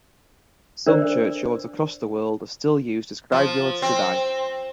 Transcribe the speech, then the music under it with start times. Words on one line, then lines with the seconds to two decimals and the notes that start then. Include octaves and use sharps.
Some churchyards across the world are still used as graveyards today.
0.87 D4 A#4 C5 D5
3.32 F3
3.82 C4